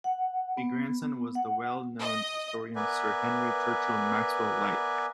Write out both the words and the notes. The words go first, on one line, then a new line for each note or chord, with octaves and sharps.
A grandson was the well known historian Sir Henry Churchill Maxwell-Lyte.
F#5
B3
F#5
D#5
B3 A#4 B4 D5 E5 G#5